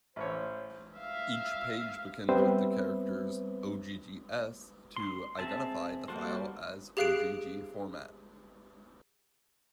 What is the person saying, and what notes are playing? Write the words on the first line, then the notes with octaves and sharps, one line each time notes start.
Each page begins with the characters, "OggS", to identify the file as Ogg format.
A1 C5 C#5
E5 F5
G3 B3 C4 B4 C5 E5
C6
C4 G#4 E5 A5
G3 A#3 F#4 A4 C5
G4 G#4 F5 F#6 C7 D7